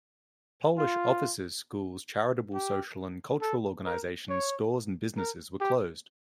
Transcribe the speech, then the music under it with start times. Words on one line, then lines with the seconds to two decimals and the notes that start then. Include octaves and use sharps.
Polish offices, schools, charitable social and cultural organizations, stores and businesses were closed.
0.78 F4
2.54 G4
3.41 A4
3.86 A#4
4.29 C#5
5.18 A#4
5.61 G4